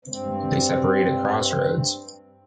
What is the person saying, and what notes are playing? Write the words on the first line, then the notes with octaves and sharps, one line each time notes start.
They separate at crossroads.
G2 C4